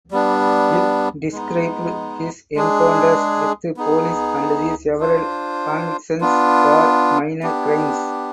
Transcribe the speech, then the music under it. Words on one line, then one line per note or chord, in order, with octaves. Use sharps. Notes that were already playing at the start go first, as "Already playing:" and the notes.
It described his encounters with police and the several convictions for minor crimes.
G3 B3 D4
G#3 B3 D#4
G#3 D4 G#4
B3 D#4 G#4
D4 F4 C5
B3 D4 F4
B3 D4 G4